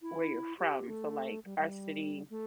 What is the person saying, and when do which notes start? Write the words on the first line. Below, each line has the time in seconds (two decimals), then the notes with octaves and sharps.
where you're from, so, like, our city,
0.02 E4
0.59 G4
0.88 A3
1.45 G3
1.59 G3
2.30 A3